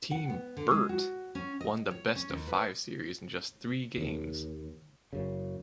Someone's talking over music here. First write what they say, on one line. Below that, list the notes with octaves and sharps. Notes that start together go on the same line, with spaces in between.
Team Birt won the best of five series in just three games.
F#5
B3
D3
G#3
F#4
C#4
D#5
C#5
C#4
D#2
B4
D#2
F#1 F#2 C#3